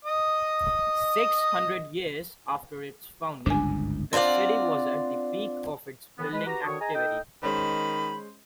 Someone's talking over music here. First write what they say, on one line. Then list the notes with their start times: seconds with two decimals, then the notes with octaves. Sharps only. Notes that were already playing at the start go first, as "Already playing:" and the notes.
Six hundred years after its founding, the city was at the peak of its building activity.
0.05 D#5 D#6
3.46 G1 C#2 G#2 D4 G#5
4.13 C4 D4 F4 D5 F#5
6.18 A2 D#3 E3 B3
6.33 G#3 B4
6.47 F#4 G4 B4 A#5
6.65 D3 D#3 F#4 C#5 C#6 D#6
6.81 G#4 D#5 G#5 A#5
6.94 D#4 A4 D#5 G5
7.43 D#3 G#3 C#4 C5 B5